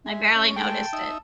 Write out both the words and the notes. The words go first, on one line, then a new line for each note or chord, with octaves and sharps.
I barely noticed it.
G#3 E5
C#4
G#3 A3 G5 A5
D#4 E5